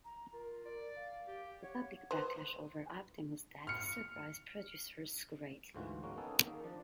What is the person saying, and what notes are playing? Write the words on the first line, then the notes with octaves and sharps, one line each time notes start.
The public backlash over Optimus' death surprised producers greatly.
A#5
F4 A#4
D5
F5
G4
C#5 F#5
B4 C5
F6 C#7
D2 G#2 E3 F4 F#4
G#3 A#3 C#4 F#4
A#3 B3 C#4 D#4 G#4 A4
D#3 A#3 D#4
F3 D4 A5